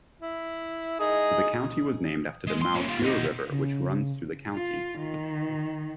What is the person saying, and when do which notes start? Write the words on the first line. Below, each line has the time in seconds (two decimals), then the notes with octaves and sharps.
The county was named after the Malheur River, which runs through the county.
0.22 E4
1.00 D#4 G#4
2.47 G#3
2.62 C6
2.74 A#2 C#4
2.88 F4 G4
3.03 B2 D#4
3.50 C#3
4.52 F4
4.98 D#3